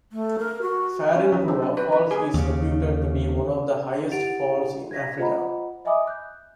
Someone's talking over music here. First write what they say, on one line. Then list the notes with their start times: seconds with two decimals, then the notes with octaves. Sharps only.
Farin Ruwa falls is reputed to be one of the highest falls in Africa.
0.12 A3
0.39 A#4
0.62 F#4
1.16 C#4
1.32 F#3
1.48 C4
1.62 D4
1.77 B4
1.92 B4
2.11 G#4
2.34 D#2 C#3
4.12 E4 G4 F#5 A6 D7 F7
4.91 G#6 A#6 B6
5.18 F4 C5 D#5 F#5 A#5 B5
5.85 D#5 E5 G#5 B5 D6 D#6
6.07 F#6 G6